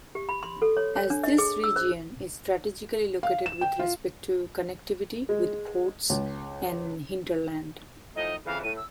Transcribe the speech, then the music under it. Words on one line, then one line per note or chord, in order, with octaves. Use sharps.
As this region is strategically located with respect to connectivity with ports and hinterland.
G4
B5
C6
A4
C#5
C#5
D4
D#5
G#4
E6
C5
F5
E7
G5
F4
G#3
C#2
A2 F3 D#4 D#5
F2 C#3 E3 F5
A2 D#7
E6